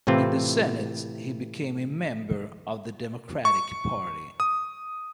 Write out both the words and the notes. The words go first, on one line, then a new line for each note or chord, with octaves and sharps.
In the Senate he became a member of the Democratic Party.
A2 C3 E3 C4 F4
C#6
D#6